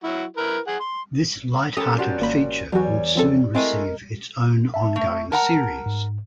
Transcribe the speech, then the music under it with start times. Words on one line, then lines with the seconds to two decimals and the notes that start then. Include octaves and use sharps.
This lighthearted feature would soon receive its own ongoing series.
0.04 F#3 E4 F#4
0.37 E4 A#4 B4
0.67 G#4 F#5
0.80 C6
1.77 C#4 G4 A4 A#4 G5 D#6
1.98 F3 G3 F#4
2.20 G#1 A#3 B5
2.72 E2 F#3 G3 F#4 C#5 G#5
3.15 F3 C4 A4
3.55 G#3 A3 C4 E4 A#4 D#5 D7 D#7
4.74 E5 A5
4.96 A3
5.32 A#4 F#5 A5 A#5
5.86 G#2